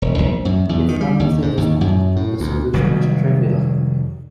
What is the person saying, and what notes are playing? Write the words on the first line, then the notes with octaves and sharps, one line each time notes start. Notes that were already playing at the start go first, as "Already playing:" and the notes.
If one message is known, the solution is trivial.
E1
A#1
F#2
E2
D#3
G3
D#2
G#2
D#2
F#2
A2
D2
F1 D#3 F#3 G3